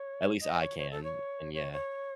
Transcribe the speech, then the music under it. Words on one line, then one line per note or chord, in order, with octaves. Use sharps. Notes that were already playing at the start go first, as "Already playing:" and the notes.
at least I can, and yeah.
Already playing: C#5
D#5
C#5
C#5
A4
C#5
C#5
C#5